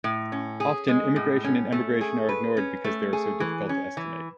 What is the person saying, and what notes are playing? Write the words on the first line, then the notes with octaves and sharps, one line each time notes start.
Often, immigration and emigration are ignored because they are so difficult to estimate.
A2
C#4
G#4
G#3
A2
C#4
A3
G#4
B4
C#4
A3
G#4
E3
C#4
E3